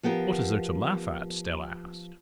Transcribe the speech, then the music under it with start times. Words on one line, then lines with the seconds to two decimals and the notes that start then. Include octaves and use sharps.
"What is there to laugh at?" Stella asked.
0.03 F3 B3 G4 A#4